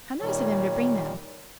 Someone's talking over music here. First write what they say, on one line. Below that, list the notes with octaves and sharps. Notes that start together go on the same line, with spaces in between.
How nice of him to bring them!
A#2 D#3 G3 C#5